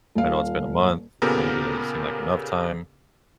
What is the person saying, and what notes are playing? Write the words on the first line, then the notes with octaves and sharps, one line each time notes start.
I know it's been a month. Maybe it doesn't seem like enough time.
D#1 A#2 F5
A#2 C#3 B3 G4 A4 A#4